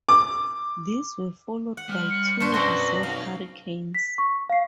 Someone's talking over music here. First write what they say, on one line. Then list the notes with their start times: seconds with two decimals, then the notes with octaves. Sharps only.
These were followed by two reserve Hurricanes.
0.09 D6
1.77 F#5
1.89 G3 C5 F6
2.10 C#7
2.40 G2 D4 B4 C5 D5 C#6
2.54 F#2 B2 C4 D4 B4 C6 C#6 A#6
3.03 F#3 D#4 F5
3.95 B6
4.18 C#6
4.50 F5 C7